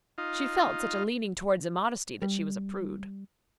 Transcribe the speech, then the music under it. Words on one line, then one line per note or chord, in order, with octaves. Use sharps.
She felt such a leaning towards immodesty that she was a prude.
D#4 F4
G3